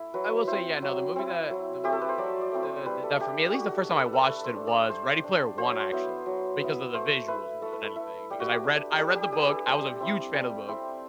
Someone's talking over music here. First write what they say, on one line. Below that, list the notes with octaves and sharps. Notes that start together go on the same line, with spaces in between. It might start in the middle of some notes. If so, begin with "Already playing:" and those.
I will say, yeah, no, the movie that the movie that did that for me, at least the first time I watched it was Ready Player One, actually, because of the visuals more than anything, because I read I read the book, I was a huge fan of book.
Already playing: A3 E4
F#3 B4
C4 E4 C5
F#3
C4 E4
F#3
A3 C4 E4 G4
A4
B4
C5
F#3 D5
D5
A3 C4 E4
C5
G3 B4
A4
D4 G4
G3 F#4 G4
F#4
G4
D4 B4
A4
A4
A3 B4
C5
D4
D5
A3 C5
D4
F#3 C5
B3 E4
F#3
B3 E4
A3 C5
E4 B4
A3 A4
B4
A4
E4
G3 G4
F#4
G4
D4
G4
G3 A4
G4
D4 G4
B4
A4
G3 C5
C4 E4
G3
C4 E4